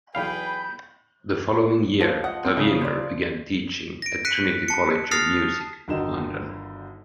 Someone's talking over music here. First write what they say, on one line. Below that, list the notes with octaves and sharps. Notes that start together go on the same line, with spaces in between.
The following year Tavener began teaching at Trinity College of Music, London.
B1 E2 G#4 B4 F5 G5 B5 G6
F3 F5
D#5 F#5
C4
C#3
D5 C6
A#6 D7
F#6 B6 C#7 D#7
A5 C#7
D#6 F6 A6 A#6 C7 F7
G1 D3 D#3 D#4 F#4 E7